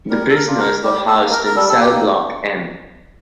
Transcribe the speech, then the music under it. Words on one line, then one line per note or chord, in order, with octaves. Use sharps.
The prisoners were housed in cell block M.
G3 A#4
A4
A#4
D4 F4
A#4
G3 G4
A4
A#3 D#4
A#4
A#4
G3 A4
A4
G4
A#3 D#4